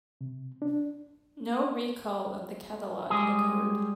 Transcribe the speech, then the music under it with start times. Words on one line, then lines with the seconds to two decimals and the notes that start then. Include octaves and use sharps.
No recall of the catalog occurred.
0.21 C3
0.62 D4
3.10 G3 G#3 G#4